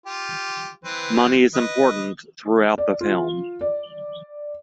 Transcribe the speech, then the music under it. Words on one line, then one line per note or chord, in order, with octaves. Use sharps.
Money is important throughout the film.
F4 G4
E3 C4 B4
B4 D#5
D5
F4
D5